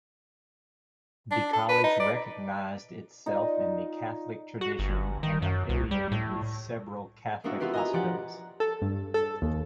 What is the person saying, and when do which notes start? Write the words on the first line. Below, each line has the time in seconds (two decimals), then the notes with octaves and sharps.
The College recognized itself in the Catholic tradition and affiliated with several Catholic hospitals.
1.31 D4
1.53 A4
1.69 B4
1.84 D#4
2.00 D5
3.26 D#4 F4 D5 D#5
4.61 F#4
4.79 G1
5.23 D#3
5.42 F#2
5.69 C2
5.91 G3
6.12 A2
7.44 G#3 A#3 B3 D4 E4 F#4
7.60 B3 E4 F4 G4 B4
7.73 D#5 G#5 A#5
7.93 F3 G4 D5 F#5
8.60 A4
8.82 G2
9.14 A4
9.42 D#2